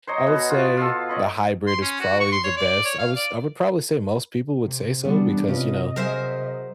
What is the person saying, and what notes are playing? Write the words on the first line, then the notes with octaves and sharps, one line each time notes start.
I would say the hybrid is probably the best. I was I would probably say most people would say so because, you know,
C5 C#5 D#5 A#5
B2 B3
F4 F#4
F4 A4
C#5 D#5 B5
C6
C#4
F#4
C#6
C6
C#5
D5
C#5
F5
D5
C3
E3 G3 B3 D4
C3 C#4 F4 B4 D#5
F#3 G#4 A#4 C5 E5